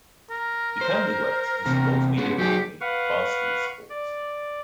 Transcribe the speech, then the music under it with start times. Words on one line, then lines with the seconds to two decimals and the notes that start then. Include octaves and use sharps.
He currently works for the sports media company Barstool Sports.
0.30 A#4
0.81 C5
1.66 E2 C3 C4
2.17 G#3 B3 C#4
2.38 F#3 D#4 G4 G#4
2.81 B4 F5 F#5 C#6
3.90 D5